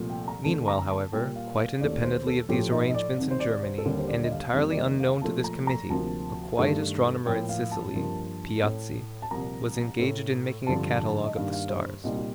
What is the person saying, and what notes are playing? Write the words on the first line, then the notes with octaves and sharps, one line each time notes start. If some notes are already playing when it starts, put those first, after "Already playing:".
Meanwhile, however, quite independently of these arrangements in Germany, and entirely unknown to this committee, a quiet astronomer in Sicily, Piazzi, was engaged in making a catalogue of the stars.
Already playing: C2 A#2 F3 A3
G5
A#5
F2 D3 A3 A5
A#5
A#5
A5
A#2 G3 A#3 G5
F5
F5
D#2 D#3 A3 D5
C5
A4
A2 F3 A3 G4
D#4
D#5
D5
C2 C3 D#3
C5
D5
C5
A4
D#2 D3 G3 A#3 A#4
C5
D5
D#5
F5
F2 C3 D#3 G3 A#3
D5
D#5
F5
A#2 F3 A3 A5
A#5
A#5
D2 C3 F3 A#3 A5
G2 D#3 A3
A2 F3 A#3 G5
F5
A5
G2 F3 A#3
A2 A3
A5
C2 A#2 F3 A#3 A#5
A2 A3
G2 D3 F3 A5
D#5
G2 D#3 A#3 F5
F5
C5
C2 A#2 G3 D#4
F4